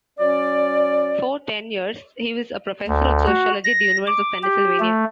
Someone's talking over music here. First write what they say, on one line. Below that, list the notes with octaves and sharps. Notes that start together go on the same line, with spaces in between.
For ten years, he was a professor of sociology at the University of Pennsylvania.
F#3 C#4 D5
D2
F#4
A#6
D6
G4
A3